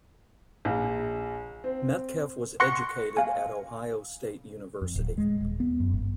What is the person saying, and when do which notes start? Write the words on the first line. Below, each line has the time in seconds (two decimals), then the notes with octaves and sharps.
Medkeff was educated at Ohio State University.
0.65 A#1
1.64 C4
2.60 F#5 C6 C#6 F#6 A#6 C#7
3.17 F5 G#5
4.81 F2
4.96 D1
5.18 G#3
5.40 D#1
5.60 B3
5.80 F#2
5.93 G1